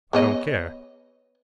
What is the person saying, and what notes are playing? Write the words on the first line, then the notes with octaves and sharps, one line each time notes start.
I don't care.
B3 C#5 D#5